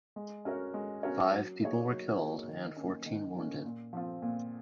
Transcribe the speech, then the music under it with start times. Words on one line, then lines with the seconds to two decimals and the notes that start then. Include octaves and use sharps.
Five people were killed and fourteen wounded.
0.16 G#3
0.45 C#4 F#4 A#4 C#5
0.74 G#3
1.03 C#4 F#4 A#4 C#5
1.32 F#3
1.61 A#3 D#4 G#4 C#5
1.90 F#3
2.19 A#3 D#4 G#4 C#5
2.48 D#3
2.77 A#3 C#4
3.06 D#3
3.35 A#3 C#4
3.64 A#2
3.93 F3 C4 F4
4.22 A#2